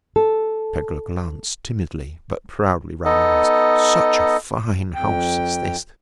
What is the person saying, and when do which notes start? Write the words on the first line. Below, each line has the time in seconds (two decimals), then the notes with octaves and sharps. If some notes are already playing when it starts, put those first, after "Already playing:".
Pegler glanced timidly but proudly round the walls—‘such a fine house as this.
0.16 A4
3.05 B3 D#4 A4 D#5
4.94 F2 G5